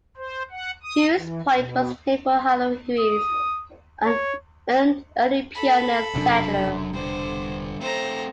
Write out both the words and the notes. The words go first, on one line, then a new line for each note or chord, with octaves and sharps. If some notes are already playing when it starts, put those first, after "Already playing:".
Hewes Point was named for Paola Hewes, an early pioneer settler.
C5
F#5
D#6
E3
B2
D#6
C#5
A4 B5
E1 F#2 C3 D4
G2 D3 C5
A3 C4 C5 A#5